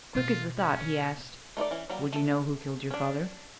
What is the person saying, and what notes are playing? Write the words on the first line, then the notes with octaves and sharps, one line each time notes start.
Quick as the thought, he asked, "Would you know who killed your father?"
B2 F4
C#4
A3 D#4 C5 D5
E3 C#4
F#3 G3 A#3
A3 A4
C#4 D4